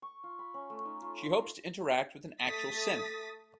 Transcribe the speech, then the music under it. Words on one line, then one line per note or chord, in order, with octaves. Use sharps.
She hopes to interact with an actual synth.
C#6
F4
B5
C#4
A3
D#4
F4
C6
A#5
A3 D#6 A6 B6